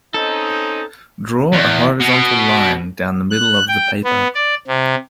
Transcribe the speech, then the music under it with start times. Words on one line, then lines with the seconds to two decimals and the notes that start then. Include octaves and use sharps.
Draw a horizontal line down the middle of the paper.
0.14 C4 C#4 D#4 A4
1.53 E2
2.01 B2
3.31 F#6
3.68 G5
4.04 B3
4.35 D5
4.67 C3